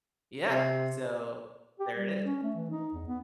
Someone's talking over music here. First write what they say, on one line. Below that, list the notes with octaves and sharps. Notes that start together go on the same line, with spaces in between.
Yeah. So, there it is.
C3
G4
G3
C#4
A3
E3
D#4
E2
B3